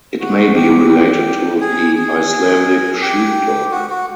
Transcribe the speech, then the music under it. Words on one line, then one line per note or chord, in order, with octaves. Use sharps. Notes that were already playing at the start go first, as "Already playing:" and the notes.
It may be related to the Icelandic Sheepdog.
F#4
G4
G4
G#4
G#4
G4
F#4
F#4